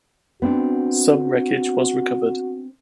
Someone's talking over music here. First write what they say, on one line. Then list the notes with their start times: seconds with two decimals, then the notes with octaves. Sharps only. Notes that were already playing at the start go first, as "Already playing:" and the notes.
Some wreckage was recovered.
0.42 B3 C4 D4 F#4